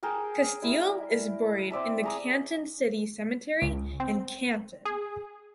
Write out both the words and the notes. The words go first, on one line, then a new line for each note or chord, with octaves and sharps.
Casteel is buried in the Canton City Cemetery in Canton.
G#4 A#4 G5 A5
G3 E4
C4 D5 E5 A5
G#4 A#5 D#6
C#2
C4
G#4